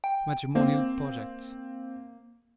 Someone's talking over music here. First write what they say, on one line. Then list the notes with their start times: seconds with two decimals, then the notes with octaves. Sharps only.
Matrimonial Projects.
0.04 G5
0.55 A#3 C4